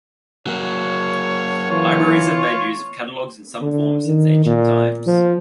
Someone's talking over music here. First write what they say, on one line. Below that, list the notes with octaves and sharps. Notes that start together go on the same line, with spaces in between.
Libraries have made use of catalogs in some form since ancient times.
F#3 A#3 C#5
E3 F4 C#5
D3
D#3
A#2
F3